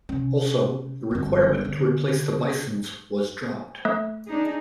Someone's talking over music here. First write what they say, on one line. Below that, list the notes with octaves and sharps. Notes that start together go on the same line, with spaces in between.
Also, the requirement to replace the Bisons was dropped.
C3 C#4
G1 C4
D3
A3
D4 D#4 G#4